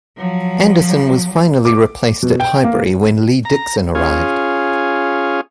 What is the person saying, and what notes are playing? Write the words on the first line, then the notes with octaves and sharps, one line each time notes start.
Anderson was finally replaced at Highbury when Lee Dixon arrived.
F3 F#3
D6
B2
G5
A#3
A#5
C#4 F4 G#4